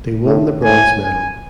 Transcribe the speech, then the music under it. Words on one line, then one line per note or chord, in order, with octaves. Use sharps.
They won the bronze medal.
A2
A2 G#5
G#5